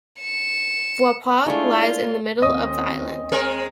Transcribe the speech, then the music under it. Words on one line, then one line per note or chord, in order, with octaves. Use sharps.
Vaipoa lies in the middle of the island.
C#7 E7
G#3 A3 D4 E4 F4 C#5 D5
D#2 C4 C#4 D#5 D#6
G#3 C4 A#4